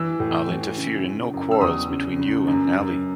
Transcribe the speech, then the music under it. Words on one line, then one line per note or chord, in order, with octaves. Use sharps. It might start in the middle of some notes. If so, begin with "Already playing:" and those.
I’ll interfere in no quarrels between you and Nelly.
Already playing: E3 E6
A2
E3
C#3
C#3
F#2
E6
E2 D#6
C#3
C#3
F#2
F#2